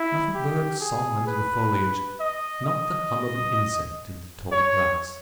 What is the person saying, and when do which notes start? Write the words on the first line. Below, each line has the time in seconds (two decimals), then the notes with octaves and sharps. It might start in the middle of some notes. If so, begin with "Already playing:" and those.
Not a bird's song under the foliage, not the hum of an insect in the tall grass.
Already playing: E4
0.35 G4
0.81 G#4
1.27 B4
2.20 D#5
2.66 D#5
4.52 C#5